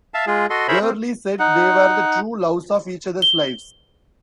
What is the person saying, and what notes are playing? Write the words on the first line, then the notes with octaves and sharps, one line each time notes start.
Birley said they were "the true loves of each other's lives".
E5 F5 A5
G#3 F4 G#4
F#4 A4 D#5 C6
G#4 A#4 C5 C#5 E5 B5
C4
D#4 F#5
G7